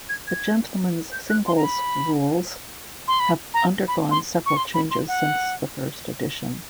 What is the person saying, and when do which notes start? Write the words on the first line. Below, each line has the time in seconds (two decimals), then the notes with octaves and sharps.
The Gentlemen's Singles' rules have undergone several changes since the first edition.
0.09 G#6
0.27 G#6
1.12 G6
1.30 F#6
1.47 C6
1.57 A#5
1.64 B5
3.08 C6
3.20 B5
3.54 A#5
3.88 B5
4.11 C6
4.46 C#6
4.57 C6
4.74 B5
4.91 C6
5.08 F#5